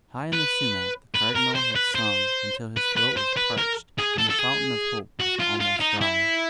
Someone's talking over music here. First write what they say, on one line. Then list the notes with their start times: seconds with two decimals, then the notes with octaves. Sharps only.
High in the sumac the Cardinal had sung until his throat was parched, and the fountain of hope was almost dry.
0.33 B4
1.15 B4
1.35 A#4
1.55 C5
1.76 B4
1.95 C5
2.77 B4
2.97 B4
3.17 C5
3.37 B4
3.58 A#4
3.99 G#4
4.19 A4
4.30 A4
4.39 G#4
5.20 F#4
5.40 F4
5.61 F4
5.81 D#4
6.01 E4